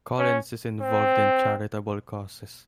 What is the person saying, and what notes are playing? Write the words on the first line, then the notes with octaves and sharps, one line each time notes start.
Collins is involved in charitable causes.
C#4
C4